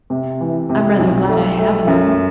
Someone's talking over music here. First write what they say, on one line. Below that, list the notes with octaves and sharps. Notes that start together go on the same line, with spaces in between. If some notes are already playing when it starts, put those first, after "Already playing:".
I'm rather glad I have one.
C3
E3
C3
B1
A3
A3
F#2